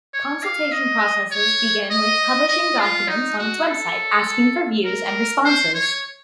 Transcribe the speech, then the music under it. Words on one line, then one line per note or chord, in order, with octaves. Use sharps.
Consultation processes begin with publishing documents on its website, asking for views and responses.
C#5
F5
D#5
C#5
D#5
D#5
F4
D#4
F#4
A4
A#4
C5
C#5